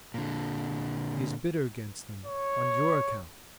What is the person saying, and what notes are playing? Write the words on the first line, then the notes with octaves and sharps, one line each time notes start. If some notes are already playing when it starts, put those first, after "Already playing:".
He is bitter against them on your account.
A#2 D3
C#5